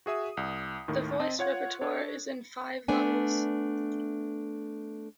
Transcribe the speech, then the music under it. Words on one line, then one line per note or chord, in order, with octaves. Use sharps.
The voice repertoire is in five Levels.
F#4 G#4 E5 D#6
C2
D#2 A2 D#3
C4 D#5 A5
F4 C#5 F#5 G#6
D4 A4 C#5
A3 B3 D4 G#5